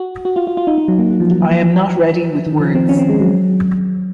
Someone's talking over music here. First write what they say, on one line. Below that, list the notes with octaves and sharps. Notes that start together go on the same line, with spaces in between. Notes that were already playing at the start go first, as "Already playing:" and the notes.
I am not ready with words.
Already playing: F#4
F#4
F4
F4
F4
D#4
D#4
F#3
A#3
F#3
F3
F#3
F3
F3
D#3
F3
C4
C#4
C4
G#3
F#3